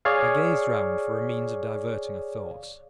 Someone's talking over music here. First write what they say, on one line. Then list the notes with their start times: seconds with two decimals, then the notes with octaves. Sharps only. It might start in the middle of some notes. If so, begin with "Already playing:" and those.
I gazed round for a means of diverting her thoughts.
0.05 G#4 C#5 D5 F5